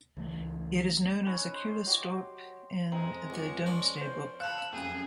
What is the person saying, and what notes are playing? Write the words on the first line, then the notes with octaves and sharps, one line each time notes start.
It is known as Aculestorp in the "Domesday Book".
C#2 E3 A3
C#4 D#4 B4 C#5
C5
F#3 G4 D6
F2 G#3 C4 A#5
C#2 C#6
F3 C#4 D4
C5
F5 A5 B5 E6 F#6
F1 F#2 A#3 G#4 G5